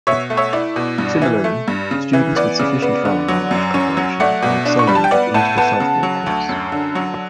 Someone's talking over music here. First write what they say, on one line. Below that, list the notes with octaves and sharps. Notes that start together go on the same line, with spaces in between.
Similarly, students with sufficient foreign language preparation are accelerated into the sophomore course.
B2 C#5 E5
A3
C#5 E5
E4 D5
B2
G2
E3
A3
G2
C#3
E3
B3 D5
C#3
B3
D3
F#3
F#2
C#4
F#3
A3 D5 F#5
B2
D4
C#6
G3 B5
A5
G5
B3 D5 F#5
A2 F#5 A5
B3 F#5 A5
C#3
F#3
D2
F#2
D3
F#3